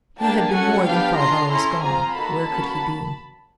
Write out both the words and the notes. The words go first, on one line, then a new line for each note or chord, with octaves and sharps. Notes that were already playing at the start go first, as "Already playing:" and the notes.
He had been more than five hours gone: where could he be?
A#3 D4 G4 G5 A5
C#4 F#4 A4 F#5 G#5
B3 D4 G4 F5 G5
D4 F4 G#4 A#5 C6
C#4 E4 A4 A#5 C6
C4 F4 G#4 G#5 A#5
A#3 D#4 F#4 A4 A5 B5
A#3 C#4 F#4